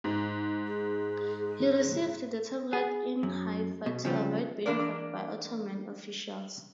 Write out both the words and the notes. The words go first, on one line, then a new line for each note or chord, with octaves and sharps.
He received the tablet in Haifa to avoid being caught by Ottoman officials.
G#2
G#4
G#4
F#2
B2
C#3 F3 G3 C4
E3 A#3 D4 A#4 D5